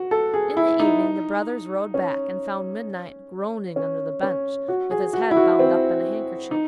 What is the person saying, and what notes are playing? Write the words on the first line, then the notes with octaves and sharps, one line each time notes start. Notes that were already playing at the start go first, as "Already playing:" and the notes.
In the evening the brothers rode back, and found Midnight groaning under the bench, with his head bound up in a handkerchief.
Already playing: F#4
A4
G#4
E4
D#4
C#4
C#4
C#4
F#4
G#4
F#4
E4
F#4
C4
D#4